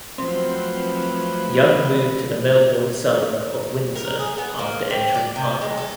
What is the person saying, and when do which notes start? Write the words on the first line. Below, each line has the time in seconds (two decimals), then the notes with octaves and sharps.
Young moved to the Melbourne suburb of Windsor after entering parliament.
0.18 F3 F#3 A3 C4 B4
3.95 A#4
4.19 G#4
4.38 B3
4.59 A#3
4.90 C4
5.14 D5
5.36 C3
5.61 G#3
5.77 A4